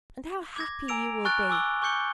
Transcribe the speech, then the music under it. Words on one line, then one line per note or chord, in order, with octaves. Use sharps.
And how happy you will be!
D6 G#6 A#6
G#5 A#5 E6 D7 F7
G#5 C#6 F6 F#6 A6
G#5 D6 E6 G7
G#5 C#6 D6 G6 C#7 G7